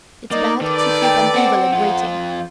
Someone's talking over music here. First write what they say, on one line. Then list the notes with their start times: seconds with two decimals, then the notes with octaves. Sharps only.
It's bad to keep an invalid waiting.
0.31 A#3 D#4 D5
0.61 D#3 A4 B4 D5
1.02 G5
1.35 C4 F#5
1.73 F2 F4